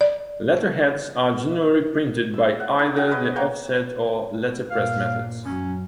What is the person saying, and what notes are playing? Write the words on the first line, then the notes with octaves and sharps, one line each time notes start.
Letterheads are generally printed by either the offset or letterpress methods.
D5
E6
F#5
D4 D#4
F#4 G#4 F#5
B4 C#5 D#5
A#3 C#5 F#5 G5
G2 A#2 F5
F#2 F#3 C#4